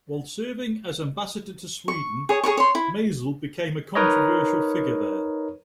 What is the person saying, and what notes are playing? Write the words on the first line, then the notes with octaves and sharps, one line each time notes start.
While serving as ambassador to Sweden, Mazel became a controversial figure there.
C#6
G#4 C#5
G#4 A#4 C#5 C#6
C#5 C6
E4
D#4 A#4 B4 C#5 D#5